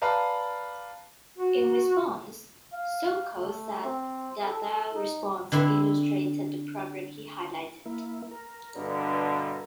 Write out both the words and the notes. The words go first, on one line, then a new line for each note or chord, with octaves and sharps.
In response, Sokal said that their response illustrated the problem he highlighted.
B4 D5 F5 A5 A#5
F#4
F5
A3
C4
A4
D#4
D3 C4 E4
A#3 E4
A#4
G2 B2 D3